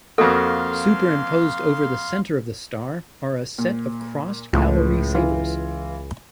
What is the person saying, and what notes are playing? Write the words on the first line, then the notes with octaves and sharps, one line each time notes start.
Superimposed over the center of the star are a set of crossed cavalry sabers.
F2 A#3 F#4 A4 F5 C6
A#2
C#2 A2 F3
E3 F4